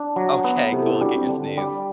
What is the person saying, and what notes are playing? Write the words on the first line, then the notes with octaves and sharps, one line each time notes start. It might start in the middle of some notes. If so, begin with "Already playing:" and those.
Okay, cool. Get your sneeze.
Already playing: D4
F#3
B3
A4
C3 E4 G4
A4
E4 G4
G3 D4 F#4
C4
D3
G3